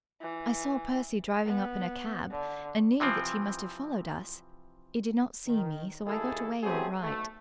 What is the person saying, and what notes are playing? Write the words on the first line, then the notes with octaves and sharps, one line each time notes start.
I saw Percy driving up in a cab, and knew that he must have followed us. He did not see me, so I got away all right.
E3
B3
D3
C3 E3 F3 C4
D#3
D#2 E4 G#4 A4
F#3 A3 B3 C4 G4 G#4
B1 A3